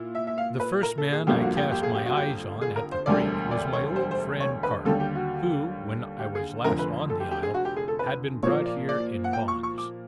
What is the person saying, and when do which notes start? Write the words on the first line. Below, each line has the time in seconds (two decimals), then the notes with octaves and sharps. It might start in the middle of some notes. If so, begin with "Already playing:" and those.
The first man I cast my eyes on at the creek, was my old friend Carl, who, when I was last on the isle, had been brought here in bonds.
Already playing: A#2 E4
0.15 E5
0.27 E5
0.38 F5
0.60 B4
0.83 A#4
0.98 A4
1.12 G#4
1.27 G1 F2 D3 G3 A#3 G4
1.42 F#4
1.57 G4
1.72 G4
1.83 G#4
1.95 G4
2.06 F#4
2.17 G4
2.61 G#4
2.76 A#4
2.92 C5
3.06 E1 D2 D3 G3 D5
3.51 D5
3.73 C#5
3.96 C5
4.11 C5
4.40 C#5
4.63 B4
4.85 D#2 D3 G3 A4
5.00 G4
5.15 F#4
6.19 G4
6.35 G#4
6.64 F1 F2 D3 A#4
6.79 B4
7.10 A4
7.20 G4
7.31 G4
7.43 G#4
7.54 F#4
7.65 G4
7.76 G#4
7.88 A4
7.99 B4
8.43 A#2 F3 A#3 C#5
8.66 D5
8.89 D5
9.24 F#5
9.33 G5
9.48 C#6
9.63 C#6
9.78 D6